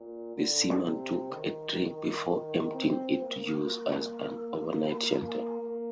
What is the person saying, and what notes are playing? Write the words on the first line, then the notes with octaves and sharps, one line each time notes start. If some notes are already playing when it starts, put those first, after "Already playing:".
The seaman took a drink before emptying it to use as an overnight shelter.
Already playing: A#2
D3
C3
D#3
C4
A#3
A#3
A#3
A#3